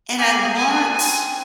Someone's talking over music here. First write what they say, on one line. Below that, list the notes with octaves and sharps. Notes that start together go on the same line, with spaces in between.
and I want
G4 G#5
G#4
G#5
A#4
C4 G#5